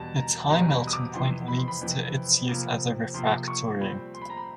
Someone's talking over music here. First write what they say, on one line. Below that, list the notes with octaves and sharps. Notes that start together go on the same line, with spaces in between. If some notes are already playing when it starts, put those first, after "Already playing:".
Its high melting point leads to its use as a refractory.
Already playing: E2 B2 G3 A5
A#5
E2 B2 G3 A#5
B5
D#6
D6
F2 C3 E3 C6
B5
C6
B5
F2 C3 E3
C3 F3 A#3
C3 F3 A#3 C6
C#6
A#2 G3 C4 B5
C6
B5
A#5
B5